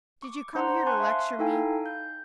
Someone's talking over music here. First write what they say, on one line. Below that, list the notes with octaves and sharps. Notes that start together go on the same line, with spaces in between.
Did you come here to lecture me?
C#6 D6
D4 C5 F#5 A#5 C6
G#5 A5 C6 C#6 F#6
E5 F5
D#4 E4 A4 F5 G5 G#5
G6